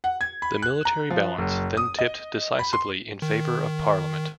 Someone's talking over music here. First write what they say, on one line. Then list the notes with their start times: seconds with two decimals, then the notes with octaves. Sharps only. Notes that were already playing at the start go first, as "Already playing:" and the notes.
The military balance then tipped decisively in favour of Parliament.
0.04 F#5
0.21 G#6
0.42 B5
0.63 F#6
0.85 A#5
1.10 F3
1.39 F#1
1.77 D#6
1.99 D#5
2.59 B5
2.73 C6
3.22 D#3